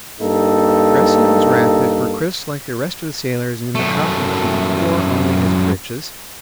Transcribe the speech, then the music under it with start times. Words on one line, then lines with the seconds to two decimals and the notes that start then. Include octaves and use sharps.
Dressing was rapid, for Chris, like the rest of the sailors in the tropic heat, wore only his breeches.
0.21 G2 A#3 D#4 A4
3.75 F#2 A3